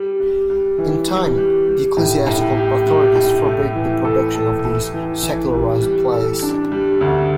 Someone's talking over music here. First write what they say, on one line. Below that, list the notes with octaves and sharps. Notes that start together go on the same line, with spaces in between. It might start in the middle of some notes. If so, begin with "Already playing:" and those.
In time the ecclesiastical authorities forbade the production of these "secularized" plays.
Already playing: G3
G3
G3
E3
G3
G3
G3
A2
A2
G4
G3
A2
A3
E3
A4
A4
A4
E3
E3
G3
G3
A4
D4
G3
D2